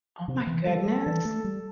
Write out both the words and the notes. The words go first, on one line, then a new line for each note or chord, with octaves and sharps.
Oh my goodness.
C3
E3
G3 A4
G3
E3
A3
G3